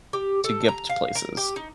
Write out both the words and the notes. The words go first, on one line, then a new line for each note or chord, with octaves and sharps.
to get to places.
G4
A4
A#5
F5
A#4
G4
D#4